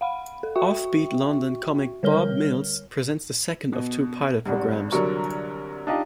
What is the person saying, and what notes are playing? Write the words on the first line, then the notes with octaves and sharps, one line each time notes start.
Offbeat London comic Bob Mills presents the second of two pilot programmes.
F5 F#5 B5
A4
F#4 E5 G5 C#6
D3 G3 A#4 C#5 F6 G7
B2
G#1 G2
C2 D3 F#3 A#4 C#6
D4 D#4 F4 G4 D#5